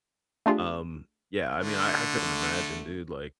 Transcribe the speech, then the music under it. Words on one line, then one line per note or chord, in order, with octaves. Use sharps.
um, yeah, I mean, I I couldn't imagine, dude, like
A3 D4 F4 G4 G#4
D3 A3